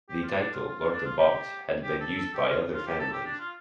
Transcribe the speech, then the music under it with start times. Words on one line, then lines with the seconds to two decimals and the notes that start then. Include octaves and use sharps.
The title "Lord of Baux" had been used by other families.
0.09 G4
0.22 F4
0.28 D4
0.40 D4
0.53 F4
0.66 F4
0.79 F4
0.92 D4
1.05 F4
1.18 G4
1.83 G4
2.01 A4
2.18 A4
2.34 G4
2.48 F4
2.73 F4
2.86 G4
2.99 A4
3.13 G4
3.25 D4
3.39 F4